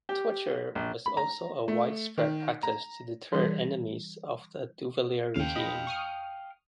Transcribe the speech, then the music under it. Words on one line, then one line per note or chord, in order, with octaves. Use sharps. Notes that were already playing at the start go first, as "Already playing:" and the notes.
Torture was also a widespread practice to deter enemies of the Duvalier regime.
G4
A#1
B5
A#5
A3
D#3
A#5
E3 G3 D#4 G#4
D#2 C#3 F5 G5
D#5 B5
C#6 D#6 F6